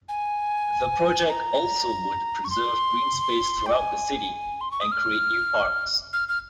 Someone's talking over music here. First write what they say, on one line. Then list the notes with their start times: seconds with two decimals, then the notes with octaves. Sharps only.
The project also would preserve greenspace throughout the city and create new parks.
0.09 G#5
1.30 A#5
2.45 C#6
2.50 C6
3.66 G5
3.72 G#5
4.61 C6
4.71 C#6
4.81 D#6
4.92 F6
6.13 F6
6.29 F6